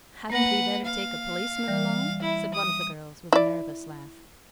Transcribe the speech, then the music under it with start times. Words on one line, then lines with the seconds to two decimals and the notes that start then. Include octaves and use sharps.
"HADN'T we better take a policeman along?" said one of the girls with a nervous laugh.
0.30 A#3 B4 F#5 A#6
0.85 F5
1.67 E3 G3 D5
2.22 E4
2.54 D#6
3.33 E4 D5